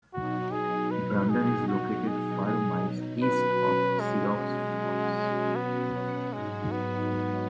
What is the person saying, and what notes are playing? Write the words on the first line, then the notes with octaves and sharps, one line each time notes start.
Brandon is located five miles east of Sioux Falls.
B2 F#3 D#4 F#4
G#4
B4
G#4
F#4
G#4
G#4
B2 F#3 C#4 F#4 B4
G#3
B3
G#2 F#3 G#3 D#4 F#4
B3